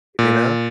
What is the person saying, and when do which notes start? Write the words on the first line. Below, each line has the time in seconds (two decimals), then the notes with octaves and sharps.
You know?
0.19 A#2